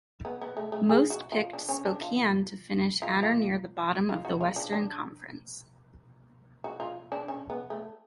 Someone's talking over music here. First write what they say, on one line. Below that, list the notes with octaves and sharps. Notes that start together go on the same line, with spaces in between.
Most picked Spokane to finish at or near the bottom of the Western Conference.
B3
B3
A3
A3
G#4
F#4
F4
D4
C#4
D4
F4
F4
F4
F4
F#4
F4
D4
D4
F#4
F4
D4
C#4
B3
A3